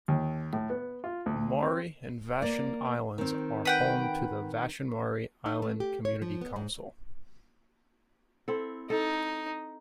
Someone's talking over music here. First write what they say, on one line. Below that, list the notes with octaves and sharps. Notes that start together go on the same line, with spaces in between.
Maury and Vashon Islands are home to the "Vashon-Maury Island Community Council".
D#2
A2
B3
F4
D2
C4
A#3 D5
D#3 C4
B4 F#5 G5
D#4
A3
G4
C#5
F3
B3
G#2
C4 E4 A4
D#4 A4